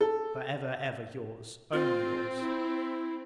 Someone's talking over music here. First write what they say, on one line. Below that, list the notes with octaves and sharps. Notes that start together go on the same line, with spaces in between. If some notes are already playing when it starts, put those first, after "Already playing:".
For ever, ever, your's, only your's.
A4
C4 F4
E4